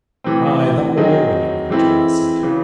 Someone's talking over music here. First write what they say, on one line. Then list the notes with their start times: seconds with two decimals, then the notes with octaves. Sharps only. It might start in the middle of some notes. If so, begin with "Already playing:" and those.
"Aye, that will we willingly," Giles said.
0.24 C3 E3 A3 C4
0.97 D#3 F#3 C4 D#4 G#4
1.70 E3 G#3 C4 E4 A4
2.43 C#3 E3